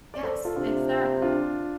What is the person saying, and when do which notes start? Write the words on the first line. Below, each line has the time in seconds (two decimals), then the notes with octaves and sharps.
Yes, exactly.
0.14 D5
0.23 A4 C5
0.45 F4 A4
0.56 C3 D4 F4
1.22 D4 F4